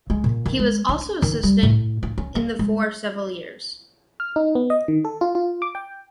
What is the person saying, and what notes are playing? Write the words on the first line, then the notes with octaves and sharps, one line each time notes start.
He was also assistant in the for several years.
G#3
A#2
D#3
G#3
C#4
D#3
G3
A2
F4
C#4
A#3
G#3
F6
D#4
B3
D#5
D#3
A4
F4
F4
D6
G5